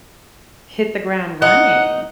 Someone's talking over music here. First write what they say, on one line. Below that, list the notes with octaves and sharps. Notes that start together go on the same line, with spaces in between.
hit the ground running.
D#4 F#5